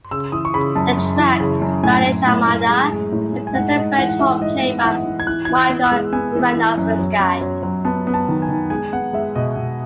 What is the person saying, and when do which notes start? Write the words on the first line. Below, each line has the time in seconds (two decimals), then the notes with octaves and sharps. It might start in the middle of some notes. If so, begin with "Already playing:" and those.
The track "Spanish Armada" contains a French horn played by Michal Emanovsky.
0.11 C#3 E6
0.32 E3 D#6
0.45 C#6
0.54 C#3 B5
0.76 F#2 A5
0.98 F#2
1.18 E3
1.40 C#3
1.62 F#2
1.83 A2 G#5
2.04 A2
2.26 A2
2.47 A2
2.69 G#3
2.91 G#3
3.12 A2
3.33 A2
3.47 G#5
3.55 G#2 F#5
3.76 G#2 D#5
3.98 E3 F#5
4.09 F#5
4.19 E3 E5
4.41 G#2 D#5
4.62 B3
4.84 E3 F#5
5.06 E3
5.20 G#6
5.27 E3 F#6
5.45 E3 G#6
5.55 F#6
5.69 B3
5.84 E6
5.92 G#3
6.12 B3 G#5
6.35 E3
6.56 E3
6.78 F#2
6.99 F#3
7.20 F#2
7.41 F#3
7.63 F#3
7.85 B3 A5
8.07 B3
8.14 A5
8.28 D#3
8.42 G#5
8.49 D#3
8.70 G#3 G#5
8.92 B3 F#5
9.13 G#3 E5
9.35 B2 D#5
9.57 B2